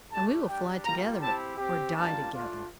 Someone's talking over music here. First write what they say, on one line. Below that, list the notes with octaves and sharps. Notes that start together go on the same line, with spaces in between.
And we will fly together or die together.'
A3 D4 G4 A5
G3 D4 G4 G5
G3 A#3 F4 A#5
C4 E4 G4 A5
C4 G4
G3 A#3 D4 F4 A5
A3 D4 F4